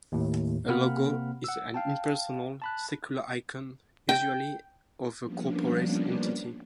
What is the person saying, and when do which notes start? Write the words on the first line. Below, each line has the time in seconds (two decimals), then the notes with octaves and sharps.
A logo is an impersonal, secular icon, usually of a corporate entity.
0.12 D#2 A2
0.68 C3 A#3 C4 F#5 B5 F6
1.44 F#5 E6
1.74 F5 G5 A5
2.62 A5 B5 F#6
4.09 G5
5.20 F3 G3 A#3 B3 C#4 D4